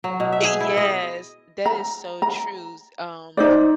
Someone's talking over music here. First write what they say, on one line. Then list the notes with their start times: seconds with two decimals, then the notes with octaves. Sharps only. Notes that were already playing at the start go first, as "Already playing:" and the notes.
yes. That is so true. Um,
0.04 F#3
0.20 B2
0.32 E5
0.44 G#4
0.60 E4
0.77 D#5
1.66 A#5
2.22 A#5
3.37 D#4 C5 D5